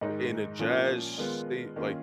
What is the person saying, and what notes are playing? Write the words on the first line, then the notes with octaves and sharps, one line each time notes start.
in a jazz state? Like,
G#2 D#3 G#3 D#4
A#2 F3 A#3 C#4 F4
D#3 G#3 B3 F4
D#3 A#3 C#4 F4